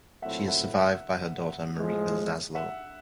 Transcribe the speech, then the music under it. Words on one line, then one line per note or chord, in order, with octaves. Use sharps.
She is survived by her daughter, Marika Zaslow.
A#2 F#3 A3 C4 E4 E5 F#5
E5 F#5
E5 F#5
A2 F3 G#3
E5 F#5